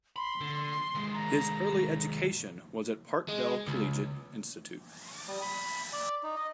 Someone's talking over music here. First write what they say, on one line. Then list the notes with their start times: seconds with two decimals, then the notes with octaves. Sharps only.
His early education was at Parkdale Collegiate Institute.
0.16 B5 C6
0.41 D3
0.95 D#2 G#3
1.14 A#5
3.28 G#3
3.68 C#2
5.28 G3
5.42 B5
5.93 D5
6.23 D#4
6.36 D#5